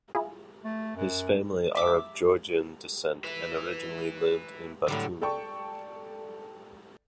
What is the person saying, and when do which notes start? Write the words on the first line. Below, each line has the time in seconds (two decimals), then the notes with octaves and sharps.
His family are of Georgian descent and originally lived in Batumi.
0.15 E4 F4 G#4
0.64 A3
0.96 F#2
1.75 E5 D6 E6
3.24 B4 E5
4.88 A2 D3 F#3 G3
5.21 A4 D5 G5 A5 C#6